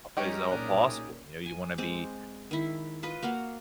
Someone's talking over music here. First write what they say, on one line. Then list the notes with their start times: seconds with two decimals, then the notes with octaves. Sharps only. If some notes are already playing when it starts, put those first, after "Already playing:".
at as all possible. You know, you wanna be
0.17 D#3 G3 G#3 C#4 G4 A#4 C#5
0.51 B1 A#2 D4 D#4 G4 G#4
1.46 G#5
1.78 G#3 C4 D6
2.51 D#3 E4
3.03 F4 B4 D#5
3.23 A#3 F#4 F5 F#5